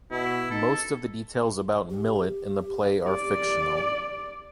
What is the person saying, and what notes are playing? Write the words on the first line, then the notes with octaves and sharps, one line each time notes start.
Most of the details about Millet in the play are fictional.
B2 E4
D#4 A4
G4
D5